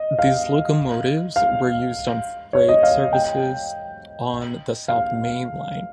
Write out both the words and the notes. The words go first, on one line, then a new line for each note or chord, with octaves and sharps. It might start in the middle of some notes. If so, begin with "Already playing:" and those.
These locomotives were used on freight services on the South Main Line.
Already playing: D#5
F5
F5
C#5
D#5
F5
G5
F5